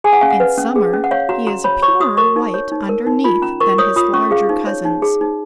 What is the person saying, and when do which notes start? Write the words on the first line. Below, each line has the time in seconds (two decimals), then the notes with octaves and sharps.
In summer he is a purer white underneath than his larger cousins.
0.04 G#4 G#5
0.13 F#5
0.21 C#4 F5
0.30 F#5
0.40 B4
0.58 C#4
0.76 G#4
0.93 C#4
1.04 F#5
1.11 C#5 F5
1.29 F#4 A#5
1.47 F#4 A#5
1.64 C#5 B5
1.82 C#5 C#6
2.00 F#4 D#6
2.17 A#4 C#6
2.36 D#4
2.54 C#5
2.72 D#4
2.89 A#4
3.07 D#4
3.24 F4 B5
3.42 C#4 A#5
3.60 A#4 C#6
3.78 C#5 D#6
3.96 F4 D#6
4.13 C#4 C#6
4.31 G#4 F5
4.49 D#4
4.67 C#5
4.85 D#4
5.02 G#4
5.21 D#4